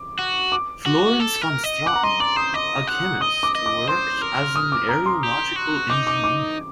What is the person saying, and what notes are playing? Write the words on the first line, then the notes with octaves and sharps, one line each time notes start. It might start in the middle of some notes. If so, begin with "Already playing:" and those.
Florence van Straten, a chemist, worked as an aerological engineer.
Already playing: D6
F#4
D6
F#4
A4
A#4
D#5
F#5 D6
A#5
D#5 C6
D5 D6
C5 D#6
D#5 D6
F#5
D#5 D#6
D6
D#5
D6
C5 C6
A#4
D#6
D6
A#5
C6
G4
F#4
D#4 D6
D6
D6